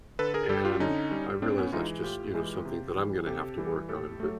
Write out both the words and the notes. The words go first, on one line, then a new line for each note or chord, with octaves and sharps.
And I realize that's just, you know, something that I'm going to have to work on, but,
D3 A4 B4
G#4 A#4
G3 G4 A4
F4 G4
D3 C#4 D#4
G3
A2 C4 D4
B3 C#4
E3 G#3 D#4 F4
A2 F4 G4
E3 G#3
C3
E3 G3
C3 G4 A4
E3 G3
A2 G4 A4
F#3 A3